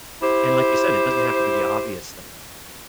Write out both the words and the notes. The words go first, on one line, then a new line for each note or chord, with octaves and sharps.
and like you said, it doesn't have to be the obvious things,
E4 G4 C5